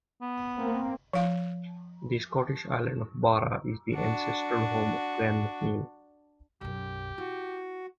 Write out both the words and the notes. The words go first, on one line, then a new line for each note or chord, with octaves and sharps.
The Scottish island of Barra is the ancestral home of Clan MacNeil.
B3
A#3 C4
F3 F5
D4 F#4
B1 F#2 G4
E4 F#4